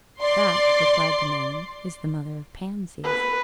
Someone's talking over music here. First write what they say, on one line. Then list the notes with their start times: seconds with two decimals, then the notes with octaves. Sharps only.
"That," replied the man, "is the Mother of Pansies."
0.22 D5 C6 D6
3.04 B4